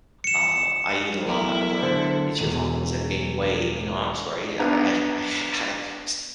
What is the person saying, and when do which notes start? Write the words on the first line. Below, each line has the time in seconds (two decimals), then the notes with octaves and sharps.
um, "I eat a lot," or, "It's your fault because I've gained weight." You know, "I'm sorry. I I I h I h st"
0.24 C#7 E7
1.26 F#3 A3 B3 E4 A#4
1.83 D3 C5
2.39 E1 D#7
4.59 B3 D4 A#5